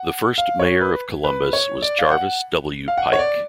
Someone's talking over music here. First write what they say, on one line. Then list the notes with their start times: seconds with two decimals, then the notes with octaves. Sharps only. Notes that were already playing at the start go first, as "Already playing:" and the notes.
The first mayor of Columbus was Jarvis W. Pike.
Already playing: F#5
0.38 F5
0.60 C#5
0.81 B4
1.24 B4
1.53 C#5
1.82 D5
1.99 F5
2.11 F#5
2.88 F5
2.98 F#5
3.13 C#5
3.19 D5